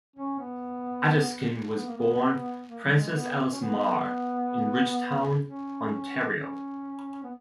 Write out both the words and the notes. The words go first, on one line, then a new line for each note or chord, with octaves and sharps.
Adaskin was born Frances Alice Marr in Ridgetown, Ontario.
C#4
B3
B3
A#3
B3
A#3
F#3
G#3
B3
C#4
B3
C#4
C#4
B3